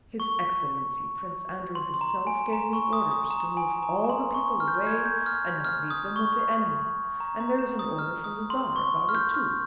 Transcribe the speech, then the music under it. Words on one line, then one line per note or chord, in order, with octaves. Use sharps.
His excellency Prince Andrew himself gave me orders to move all the people away and not leave them with the enemy, and there is an order from the Tsar about it too.
C#6
C6
C6
A#5
G#5
A#5
C#6
D#6
D#6
A#5
G#5
A#5
A#5
C6
C#6
F6
G6
F6
G#6
G6
F6
F6
D#6
C#6
A#5
A#5
A#5
D#6
F6
D#6
C6
C#6
F6
G6
F6